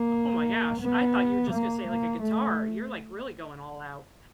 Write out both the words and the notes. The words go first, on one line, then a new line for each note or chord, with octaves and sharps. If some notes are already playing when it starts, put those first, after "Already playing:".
Oh my gosh. I thought you were just gonna say, like, a guitar. You're, like, really going all out.
Already playing: A#3
B3
A#3
A#3
A3